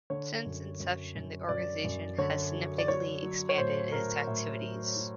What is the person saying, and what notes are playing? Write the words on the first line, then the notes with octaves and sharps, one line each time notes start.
Since inception, the organization has significantly expanded its activities.
D3 C#5
F#2
F#2
F#2
F#2 D5
F#2
D3 C#5
F#3
D5
F#3 C#5
F#3
C#5
A2 C5
A2 A#4
A2
F#3
F#3